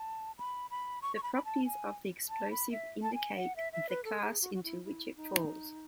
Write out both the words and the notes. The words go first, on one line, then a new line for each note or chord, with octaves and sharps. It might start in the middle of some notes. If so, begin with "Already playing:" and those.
The properties of the explosive indicate the class into which it falls.
Already playing: A5
B5
B5
C#6
C#6
B5
B5
A5
G#5
A5
B5
E5
A5
G#5
F#5
E5
E5
B4
A4
G#4
F#4
F#4
E4
E4
D#4